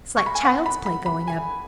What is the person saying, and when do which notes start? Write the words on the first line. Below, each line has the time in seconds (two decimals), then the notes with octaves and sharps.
It's like child's play going up.
0.17 C#6
0.26 B5
0.35 G#5
0.45 F#5
0.66 B5
0.86 B5
1.06 B5
1.28 G#5